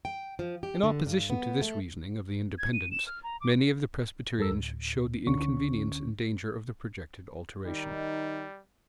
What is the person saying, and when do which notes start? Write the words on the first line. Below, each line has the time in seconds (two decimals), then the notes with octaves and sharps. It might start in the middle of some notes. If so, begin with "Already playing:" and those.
In opposition to this reasoning of the Independents, many of the Presbyterians showed the inconvenience and danger of the projected alteration.
0.05 G5
0.39 F3
0.63 G4
0.83 D3
1.06 G2
1.30 B3
1.61 A3
2.58 G#6
2.73 D#7
2.91 E7
3.07 F6
3.24 A#5
3.41 D6
4.38 F2 G3 A4 A#4 E6
4.51 D2 A2
5.26 D2 D3 C#4 C#6
7.66 D#3 G3 D#4